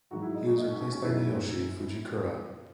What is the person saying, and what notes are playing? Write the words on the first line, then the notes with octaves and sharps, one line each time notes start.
He was replaced by Naoshi Fujikura.
G#2 D#3 F#3 F#4
E4
D#4
C#4
D#4
C#4
C#4
C#4
F#2 D#3 G#3 E4